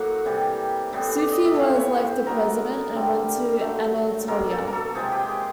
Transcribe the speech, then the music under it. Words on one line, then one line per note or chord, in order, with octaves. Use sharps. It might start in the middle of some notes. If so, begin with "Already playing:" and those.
Suphi was elected President and went to Anatolia.
Already playing: A2 F#3 A#3 F#5
C3 E3 G3
A2 E3 G3 B3
D5
D#5
E5
E3 A3 C4 F5
C#5
C5
D3 F#3 B3 A#4
D3 G3 C4
D3 F#3 A3
B2 F#3 A#3 A#4
A4
A#4
A4
C3 F3 G#3 G#4
G4
G#4